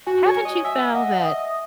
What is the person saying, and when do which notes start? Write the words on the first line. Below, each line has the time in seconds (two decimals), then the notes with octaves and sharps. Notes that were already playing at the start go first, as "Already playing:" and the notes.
haven't you found that,
0.07 F#4 G#5
0.26 C#5
0.36 G#5
0.45 D#5
0.64 E5 G#5
0.94 D#5 F#5
1.23 D#5 E5